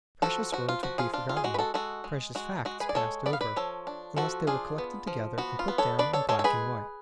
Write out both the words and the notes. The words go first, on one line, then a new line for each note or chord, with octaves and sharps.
Precious words would be forgotten, precious facts passed over, unless they were collected together and put down in black and white.
F3 F#4 A4
F3 F#4
F4
F3 F#4
F4 G#4
D4 F4
F4
G#4
G#3 F#4
B4
F#4 A4
G#3 F#4 A4
G#3
G#3 F#4
G#3 F#4
G#4 B4
D5
G#3 A4 C#5
B3 D5
F5
B4 D5
F3 A4 C#5
D4
F3 F#4 A4
D4 F4 G#4
B3
F3
B3 F#4
F4
B3
A4 C#5
D4 B4 D5
A4 C#5
G#3 A4 C#5
A4
G#4 B4